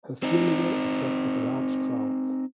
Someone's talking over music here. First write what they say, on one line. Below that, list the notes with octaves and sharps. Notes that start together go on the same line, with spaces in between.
Her funeral attracted large crowds.
C4 D#4